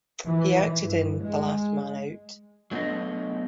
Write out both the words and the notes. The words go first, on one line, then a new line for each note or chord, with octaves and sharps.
He acted in "The Last Man Out".
E3
G2
G#3
F#3 A3 B3 D4 D#5